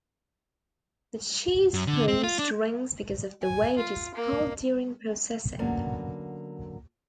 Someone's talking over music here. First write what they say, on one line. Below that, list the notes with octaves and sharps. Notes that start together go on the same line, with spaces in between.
The cheese forms strings because of the way it is pulled during processing.
F#2
D3
C4
F4
D4
G#5
F4
A#3
D3 F#3 A#3 B3 C#4